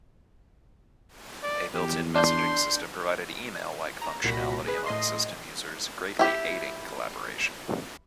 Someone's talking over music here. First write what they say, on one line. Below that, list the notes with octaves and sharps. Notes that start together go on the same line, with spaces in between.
A built-in messaging system provided email-like functionality among system users, greatly aiding collaboration.
D5
E2 G4
D4 C6 G6
A#5
C2 A#2 F#4 B5 A#6
G#4 B4
A2 D#5 C6
E4 G4